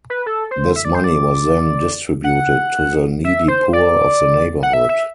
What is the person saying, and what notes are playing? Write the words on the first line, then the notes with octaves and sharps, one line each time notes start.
This money was then distributed to the needy poor of the neighborhood.
B4
A4
C5
E5
D5
C5
D5
F#5
E5
C5
D5
F#5
E5
E5